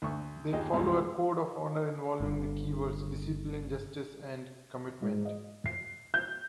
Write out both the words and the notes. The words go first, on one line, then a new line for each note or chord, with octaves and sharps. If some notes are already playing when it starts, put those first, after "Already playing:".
They follow a code of honor involving the keywords "discipline", "justice" and "commitment".
D2 C#6
D#2 F4 G#4 D#5
C2 F2 E3 G3 G#3
G1 D3
G#2
D#5
C7
G6